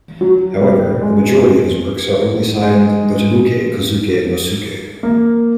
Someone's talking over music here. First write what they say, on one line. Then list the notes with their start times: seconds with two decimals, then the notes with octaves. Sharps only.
However, the majority of his works are only signed "Dotanuki Kozuke no Suke".
0.21 F#3
0.61 G3
1.01 G#3
2.62 G#3
5.03 A#3